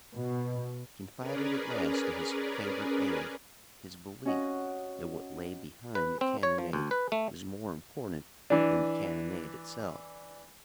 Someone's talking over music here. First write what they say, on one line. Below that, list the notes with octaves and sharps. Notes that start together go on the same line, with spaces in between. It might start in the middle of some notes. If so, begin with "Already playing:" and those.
He confided at last to his favorite aide his belief that what lay behind the cannonade was more important than the cannonade itself.
B2
C#4 G#4 A#4 B4 D5
C#4 F#4 D#5 F#5
B4
C4
C#5
F3
D2
B4
A3
E3 D4